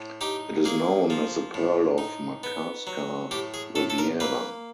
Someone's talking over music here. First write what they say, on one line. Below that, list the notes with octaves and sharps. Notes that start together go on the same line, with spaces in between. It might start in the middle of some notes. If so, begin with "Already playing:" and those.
It is known as the pearl of Makarska riviera.
Already playing: A2
D#4 G4
A#3 G#4
F3
A2
D#4
B3
F#3
A2 G4
G#4
A2 A4
A4
A#4
A#3 B4